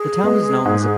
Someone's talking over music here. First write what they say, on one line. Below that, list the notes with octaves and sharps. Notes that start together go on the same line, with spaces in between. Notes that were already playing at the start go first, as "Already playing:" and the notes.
The town is known as a balneologic and climatic resort.
Already playing: G#4
G#3 B3
G#2